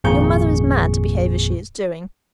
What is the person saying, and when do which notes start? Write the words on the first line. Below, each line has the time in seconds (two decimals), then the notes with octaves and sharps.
Your mother is mad to behave as she is doing.
0.04 G#1 F2 A#2 G#4 C#6 G6